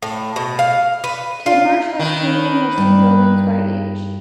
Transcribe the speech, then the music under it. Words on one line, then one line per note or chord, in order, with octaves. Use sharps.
Tidmarsh has two main listed buildings by age.
A2
B2
F5
B4
F4
D#3 B4
G2